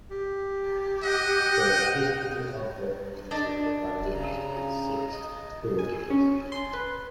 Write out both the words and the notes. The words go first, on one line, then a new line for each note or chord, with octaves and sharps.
The history of the Lands is divided into six periods.
G4
D#5 F#5 G5
D4 D5 D#5
C#3 A#5
D#5
G#5
C#4
C6
B4